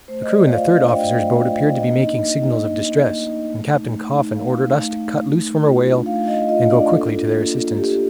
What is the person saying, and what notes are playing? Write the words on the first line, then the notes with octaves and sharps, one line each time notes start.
The crew in the third officer's boat appeared to be making signals of distress, and Captain Coffin ordered us to cut loose from our whale and go quickly to their assistance.
A3 C5
D#5
A3 D5
F4 F5
D4 D#5
A3 G5
A3
F4
D4
A#3 D#5
D#4
A#3
D#4
A#3
D#4
A#3
D#4
A3
D#4
A3
D#4
A3 F5
D#4
A3
D#4
A3
A3
F4
D4
A3 F5
A3 D#5
F4 D#5
D4 D5
A#3 A4
F4
A#3
F4
A#3 G4